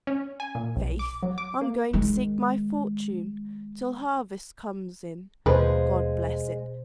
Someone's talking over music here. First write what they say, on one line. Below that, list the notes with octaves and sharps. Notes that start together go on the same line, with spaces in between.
"Faith, I'm going to seek my fortune till harvest comes in, God bless it!"
C#4
G#5
A#2
B1
D6
F#3
D6
A#3
D#3 G#3
D#2 B2 F3 G#3 B4 C5